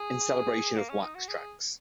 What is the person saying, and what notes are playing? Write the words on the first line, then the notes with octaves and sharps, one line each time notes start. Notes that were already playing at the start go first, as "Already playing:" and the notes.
In celebration of Wax Trax!
Already playing: G#4
A#3
C#4
D#4
F#4
G#4